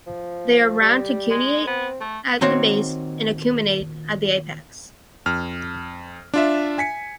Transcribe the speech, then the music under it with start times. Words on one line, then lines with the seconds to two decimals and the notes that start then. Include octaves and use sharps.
They are round to cuneate at the base and acuminate at the apex.
0.07 F3
0.81 G3
1.30 G#3
1.67 B3 C4
2.01 A3
2.41 A#2 D#3 C4 F#4 C#5 F5
5.26 F2 F6
6.34 D4 F4 E5
6.78 G#5 B6 C#7